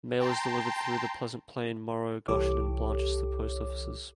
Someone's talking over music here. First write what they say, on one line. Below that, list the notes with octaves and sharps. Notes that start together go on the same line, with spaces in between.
Mail is delivered through the Pleasant Plain, Morrow, Goshen, and Blanchester post offices.
G5 A5 A#5 C6
C2 E3 G4 A4 C#5 D6